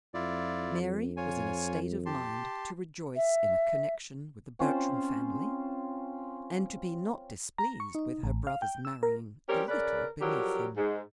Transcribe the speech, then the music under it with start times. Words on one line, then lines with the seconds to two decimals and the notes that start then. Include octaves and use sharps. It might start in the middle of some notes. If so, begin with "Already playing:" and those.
Mary was in a state of mind to rejoice in a connexion with the Bertram family, and to be not displeased with her brother's marrying a little beneath him.
0.14 F2 E4 F4 D5
1.17 F4 C#5 G#5
2.06 G4 A5 C6
3.16 E5
4.59 C4 C#4 F4 C5
7.58 A#5
7.80 C#6
7.95 D#4
8.23 A1
8.47 F5
8.62 G5
8.85 E6
9.03 A#4
9.49 G3 C4 C#4 G4 A#4
9.68 C#3 A#4 B4 D5
10.21 F2 F#3 G3 G4 A#4
10.77 G#2